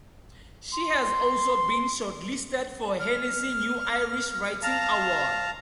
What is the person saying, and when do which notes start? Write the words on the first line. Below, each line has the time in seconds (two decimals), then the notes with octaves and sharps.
She has also been shortlisted for Hennessy New Irish Writing Award.
0.75 C6
3.00 F6
4.63 F5 A5 A#5